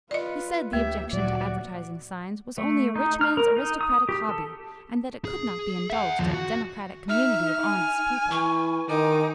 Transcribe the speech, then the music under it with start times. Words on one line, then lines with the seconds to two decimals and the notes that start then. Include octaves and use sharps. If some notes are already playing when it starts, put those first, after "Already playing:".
He said the objection to advertising signs was only a rich man's aristocratic hobby, and that it could not be indulged in a democratic community of honest people.
0.11 F4 B4 D5 D#5
0.73 D2 A3 A#3 G4 E5
1.13 D2 A#2 F#3 F#4 D5
2.58 A3
2.96 D#4
3.21 F6
3.37 A#4
3.57 D#4
3.81 D#6
4.09 G4
4.29 A4
5.25 G#4
5.90 E5 F#5
6.19 D#2 F3
6.34 F#4
7.09 D#4 E5 F6
7.65 G#5
8.31 E3 C#6
8.89 D#3 D#4 G#5 D6